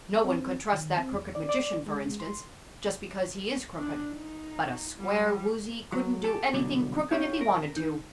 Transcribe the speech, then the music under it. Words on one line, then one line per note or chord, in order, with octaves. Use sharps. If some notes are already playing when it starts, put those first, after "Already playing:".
"No one could trust that Crooked Magician, for instance, just because he is crooked; but a square Woozy couldn't do anything crooked if he wanted to."
C4
D#3
C4
E2
D5
D5
G#3
C6
D4
D#4
G3
F#3
G4 A4
C2 B2 D3 F#3
D#4 F4 G4 C#5
A#4
D#4